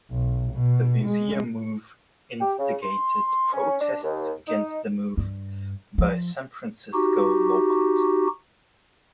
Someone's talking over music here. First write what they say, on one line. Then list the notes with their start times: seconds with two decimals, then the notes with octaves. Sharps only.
The museum move instigated protests against the move by San Francisco locals.
0.11 B1
0.53 B2
1.05 G#3
2.41 G4
2.59 C#3
2.83 C6
3.53 C#4
3.81 D4
4.03 D#2
4.48 D#4
5.17 G2
5.98 F3
6.94 D#4 F#4 G4